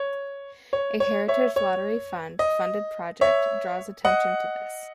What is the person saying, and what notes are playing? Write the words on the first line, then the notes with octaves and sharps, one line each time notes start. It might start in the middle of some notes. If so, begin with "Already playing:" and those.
A Heritage Lottery Fund funded project draws attention to this.
Already playing: C#5
C#5
C#5
C#5 E5
C#5
D#5
C#5 E5
D#5 F#5